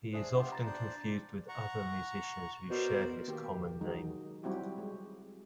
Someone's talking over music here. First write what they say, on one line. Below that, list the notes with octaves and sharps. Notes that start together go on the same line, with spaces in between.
He is often confused with other musicians who share his common name.
D4 G#4 C5 E5 C7
B3 F4 G4
A#5 A6
D4 C5 D5
F#5 A#5 C#6
B2 A#4 C5 D5
D#3 A#3 G4
D#3 F#3 G#3 D#4
F#3 G3 C4 E4 F#4 G4
G#3